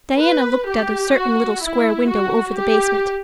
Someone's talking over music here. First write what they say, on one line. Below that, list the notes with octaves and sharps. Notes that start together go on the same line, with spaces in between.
Diana looked at a certain little square window over the basement.
B4
G4
F#4
E4
F#4
G4